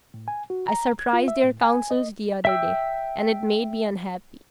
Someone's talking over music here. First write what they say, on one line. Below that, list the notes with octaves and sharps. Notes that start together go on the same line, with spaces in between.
I surprised their councils the other day, and it made me unhappy.
A2
G#5
F#4
A#5
G#6
F4
E5
A2
G#5
D#5
E5 G5 E6